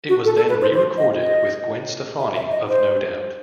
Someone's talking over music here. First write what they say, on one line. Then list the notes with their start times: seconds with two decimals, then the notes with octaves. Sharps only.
It was then re-recorded with Gwen Stefani of No Doubt.
0.09 F#4
0.25 A4
0.37 A4
0.49 B4
0.62 C5
0.74 C5
0.98 D#5
1.23 D#5
2.20 E5
2.36 E5
2.51 D#5
2.68 C5